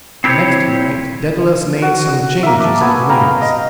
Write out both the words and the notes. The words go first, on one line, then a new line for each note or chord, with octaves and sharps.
The next night Daedalus made some changes in the wings.
C4 E4 G4 G#4 C5 C#5
F#4
A#3 E5
A5 D6
A3 B3 G#5 D#6
F5 G5 A#5 B5
D#5